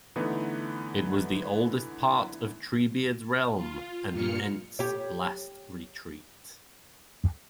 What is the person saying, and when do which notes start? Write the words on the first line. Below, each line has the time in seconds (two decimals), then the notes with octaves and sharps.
It was the oldest part of Treebeard's realm, and the Ents' last retreat.
0.16 D3 E3 A3 B3 D#4
3.56 F4
4.11 G2 A#2 A#3 F4 F6 C#7
4.79 G4 C#5